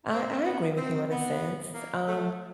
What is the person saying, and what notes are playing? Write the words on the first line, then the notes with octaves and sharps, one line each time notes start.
I I agree with you in a sense, um,
C4
B3
C4
B3
A#3
A3